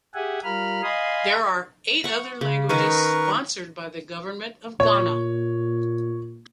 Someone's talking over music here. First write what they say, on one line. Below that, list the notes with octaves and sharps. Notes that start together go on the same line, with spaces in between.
There are eight other languages sponsored by the Government of Ghana.
G4 G#4 E5 F#5 G#5
G3 F4 A#4 B5 F6
D#5 F5 G#5 B5 C6 D#6
F#5 C#6
C#3
D#3 C#4 D#4 A#4 B4 C#6
A#2 C#5